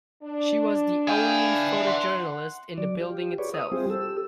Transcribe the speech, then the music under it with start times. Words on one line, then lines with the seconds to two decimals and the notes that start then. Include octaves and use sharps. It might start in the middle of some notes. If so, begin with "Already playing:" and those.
She was the only photojournalist in the building itself.
0.23 D4
1.07 G#4 E5 F5 G5 G#5
1.87 F#5 C6
2.78 F#3 D5
3.00 F4 G4
3.38 G#4 B4 C#5 D5
3.54 E5 D#6
3.72 G3 C4 F4 G4 G#4 C5
3.90 G4 A4 E6